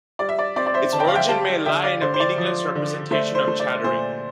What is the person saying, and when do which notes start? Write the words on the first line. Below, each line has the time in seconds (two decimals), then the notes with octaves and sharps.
Its origin may lie in a meaningless representation of chattering.
0.19 G3 D5
0.29 E5
0.39 D5
0.56 C4 D5
0.66 D5
0.74 C5 E5
0.92 D3 A5
1.00 G5
1.08 F5
1.15 E5 G5
1.28 G3 F5 A5
1.65 D3 E5 G5
1.83 D5 F5
2.01 D3 C5
2.14 C5
2.20 D5
2.38 F3
2.75 D3
3.11 A3 C5 E5
3.35 C5
3.47 A3
3.60 D5
3.84 A#2 C5